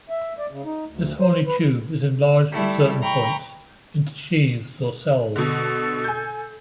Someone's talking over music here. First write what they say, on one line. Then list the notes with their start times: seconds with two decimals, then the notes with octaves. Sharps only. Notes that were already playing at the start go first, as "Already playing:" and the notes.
This horny tube is enlarged at certain points into sheaths or cells.
0.10 E5
0.39 D5
0.50 C#3
0.65 D#4
0.88 D2
1.20 C5
1.47 B4
2.51 G3 A3 E4
3.02 G5 A#5 B5 C#6
5.36 B2 D3 A4
6.04 G#5 G6